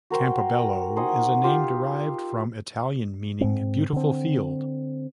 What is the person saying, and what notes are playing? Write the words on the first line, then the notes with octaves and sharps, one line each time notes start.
Campobello is a name derived from Italian meaning "beautiful field".
F#4 A#4 C5 G5
D#4 C5 F#5 G#5
F4 G4
G#2 C4
D3 C4